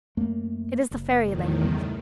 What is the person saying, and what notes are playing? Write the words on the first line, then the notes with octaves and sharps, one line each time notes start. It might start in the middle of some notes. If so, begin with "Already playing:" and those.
It is the fairy language.
F#2 A3 A#3
F#1
E2 A2 D#3
C#2 G3 B3